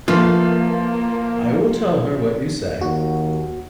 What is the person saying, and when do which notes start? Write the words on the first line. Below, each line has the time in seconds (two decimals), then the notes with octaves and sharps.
I will tell her what you say.
0.08 E3 F3 A3 A#3 F4
2.81 D#2 F#4